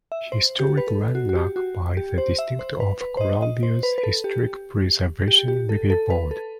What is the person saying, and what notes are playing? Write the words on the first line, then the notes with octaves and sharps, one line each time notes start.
Historic Landmark by the District of Columbia's Historic Preservation Review Board.
E5
C5
G4
B4
A4
F#4
F#4
G4
F#4
G4
C5
E5
C5
B4
B4
C5
D#5
D#5
C5
B4
B4
A4
G4
G4
G4
A4
A4
B4
A4